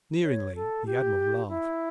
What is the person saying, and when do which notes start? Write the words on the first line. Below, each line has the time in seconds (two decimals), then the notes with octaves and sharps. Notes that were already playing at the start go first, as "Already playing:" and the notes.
Sneeringly the Admiral laughed.
0.24 C#5
0.55 A4
0.86 G4
1.49 E4